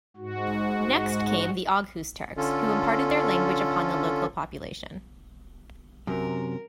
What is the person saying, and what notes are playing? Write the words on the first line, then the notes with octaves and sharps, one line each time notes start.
Next came the Oghuz Turks, who imparted their language upon the local population.
G#2 F#4
D3 C#4 F4 A4
F#2 C3 A#4